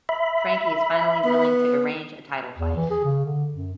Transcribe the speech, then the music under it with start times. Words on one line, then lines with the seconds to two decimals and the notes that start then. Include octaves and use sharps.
Frankie is finally willing to arrange a title fight.
0.09 E5 B5
1.25 B3
2.59 E2
2.77 E3
2.90 G#4
3.04 C#3
3.25 D3
3.54 F#2